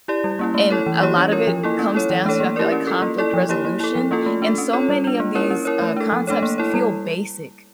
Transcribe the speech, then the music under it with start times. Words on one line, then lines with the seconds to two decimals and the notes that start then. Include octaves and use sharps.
and a lot of it comes down to, I feel like conflict resolution, and so many of these, uh, concepts feel basic
0.08 E4 G4 D5
0.24 G3
0.39 A#3 C#4 E4
0.54 A3
0.70 E4 A4 C#5
0.86 E3
1.01 A#3 E4 G4 C#5
1.17 C#4
1.32 F4 A#4 C#5
1.47 F3
1.63 A#3 E4 A4
1.79 C#4
1.94 E4 A4 C#5
2.10 E3
2.25 A3 D4 A4 C#5
2.40 A#3
2.56 E4 G4 A#4 D5
2.72 C#4
2.87 F4 A4
3.02 A#3
3.18 E4 A4 D5
3.34 F3
3.49 A#3 E4 G4 C#5
3.65 A#3
3.80 E4 A4
3.95 F3
4.11 A#3 C#4 F4 A4
4.26 A3
4.42 D4 A4
4.58 C#4
4.73 F4 A4 C#5
4.89 G3
5.04 D4 F4
5.20 A#3
5.35 C#4 E4 A#4 C#5
5.50 C#4
5.65 E4 A#4 C#5
5.81 A3
5.96 D4 A4
6.12 F3
6.27 A3 D4 A4 C#5
6.43 A#3
6.58 E4 A4 C#5
6.74 G3